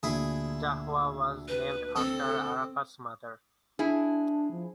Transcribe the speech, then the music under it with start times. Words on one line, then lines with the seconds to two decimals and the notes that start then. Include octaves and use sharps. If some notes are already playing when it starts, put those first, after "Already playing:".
Zahwa was named after Arafat's mother.
0.03 D2 A#2 D4 E4 G#4
1.48 B4
1.96 C4 A4
3.79 D4 E4 G#4
4.51 F3